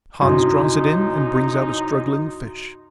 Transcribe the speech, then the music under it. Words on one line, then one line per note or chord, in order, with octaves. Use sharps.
Hans draws it in and brings out a struggling fish.
C2 F#2 D#4 F#4 C6